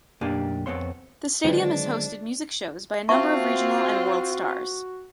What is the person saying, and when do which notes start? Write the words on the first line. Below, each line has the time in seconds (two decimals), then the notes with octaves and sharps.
The stadium has hosted music shows by a number of regional and world stars.
0.21 B1 F#2 A#3 D4 G4 G#5
0.66 F2 B3 C4 C#5 C6
1.45 D3 D#3 F#3 G#3 C4 D4 F4 B4
3.09 C4 F4 F#4 E5 A5 C#6